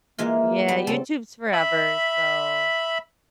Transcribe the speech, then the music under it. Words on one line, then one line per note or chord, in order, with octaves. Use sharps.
Yeah, YouTube's forever, so
E3 G#3 A#3 F4
G3 B3
C#3 C4 A4
E5 B5